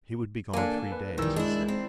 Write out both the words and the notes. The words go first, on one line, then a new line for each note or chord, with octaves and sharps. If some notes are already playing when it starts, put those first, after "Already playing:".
He would be gone three days, he said.
A#3 D4 A4 G#5
B4
A#1 D#3 E3 G3 E6
G#3 D4 E4
C4